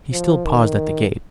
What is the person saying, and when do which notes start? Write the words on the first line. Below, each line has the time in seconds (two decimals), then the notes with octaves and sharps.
He still paused at the gate.
0.12 F3
0.45 D#3